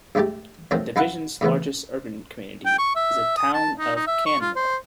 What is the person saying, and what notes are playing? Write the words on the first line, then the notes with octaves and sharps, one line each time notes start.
The division's largest urban community is the Town of Canmore.
A#1 G#2 A3 G4 A5
F2 D#3 F#3 A3 C4
F#2 D#4 E4 F5 F#5
A2 C#3 E3 B3
G5
C#6
E5
D#6
A5
D#4
D#4
E5
C#6
F4
C5